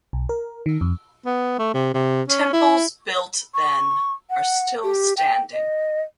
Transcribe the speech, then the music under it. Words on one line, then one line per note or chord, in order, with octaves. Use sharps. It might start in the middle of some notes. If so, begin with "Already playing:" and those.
Temples built then are still standing.
B1
A#4
D#3
F2
B3
A3
C3
C3
C#4
E4
C#6
F#5
G4
G5
D#5